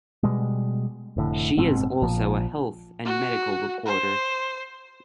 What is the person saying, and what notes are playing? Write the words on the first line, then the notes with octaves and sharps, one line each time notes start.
She is also a health and medical reporter.
B2 G3 G#3
F1 A2 D3
F#1 G#2 B2 C4
A#1 A#2 F3
F#4
C5